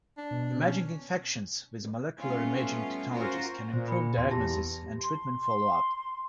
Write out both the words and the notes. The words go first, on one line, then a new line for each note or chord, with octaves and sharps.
Imaging infections with molecular imaging technologies can improve diagnosis and treatment follow-up.
D4
B2
C#4
G3 A3 B3 C#4 F4
C#4 F4 F#4 A#4 C5
A#2 C5
B5 C#7
E2 C6
G4 A5 A#6
C6
C6